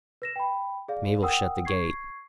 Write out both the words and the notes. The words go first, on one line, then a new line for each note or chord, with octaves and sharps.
Mabel shut the gate.
B4 A#6 E7
G5 B5
G#4 D5 F5
A#4 F#5 G5 D#6 E6
C#6 G#6 C7